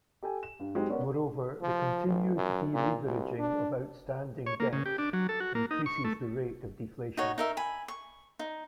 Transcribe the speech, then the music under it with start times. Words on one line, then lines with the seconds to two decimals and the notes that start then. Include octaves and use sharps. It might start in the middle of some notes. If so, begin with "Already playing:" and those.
Moreover, the continued deleveraging of outstanding debts increases the rate of deflation.
0.23 G4 A4 G5 G#5
0.43 E7
0.60 G2
0.75 F#3 G#3 C4 D#4 G4
0.89 B3 C#4 A#4 D5 F#5
1.62 F3
2.06 A1
2.36 F#2
2.73 A#2
3.04 C2
3.39 D4
4.46 C#5
4.60 A#3
4.73 C#3
4.86 G4
4.98 D4
5.13 F#3
5.29 A4
5.40 F#4
5.55 A#3
5.71 D#4
5.86 C#6
6.04 A3
7.17 D#4 F#4 C#5
7.38 D#4 A#4 E5
7.57 G#5 B5
7.88 C#6
8.39 D#4